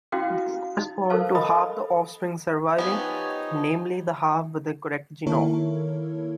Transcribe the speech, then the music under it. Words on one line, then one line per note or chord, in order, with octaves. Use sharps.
This corresponds to half the offspring surviving; namely the half with the correct genome.
C#4 E4 F#4 F5 G5
D#4
A4 A#4 C5 F5 A5
A#4 D#5 B5 D#6
F3 B3 D#4 G4 C#5 G#5
D#3 A#3 E4 A4 A#4 C#5